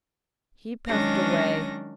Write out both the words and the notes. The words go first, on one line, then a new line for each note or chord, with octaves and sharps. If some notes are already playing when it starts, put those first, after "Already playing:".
He puffed away.
D#3 F#3 G#3 C#4 D4 A#6